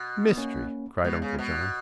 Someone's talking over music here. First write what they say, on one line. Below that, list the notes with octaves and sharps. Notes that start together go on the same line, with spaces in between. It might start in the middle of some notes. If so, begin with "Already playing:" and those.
"Mystery!" cried Uncle John.
Already playing: B2
B3
A#3 C#4
B2 G#3 B3
C#3
B2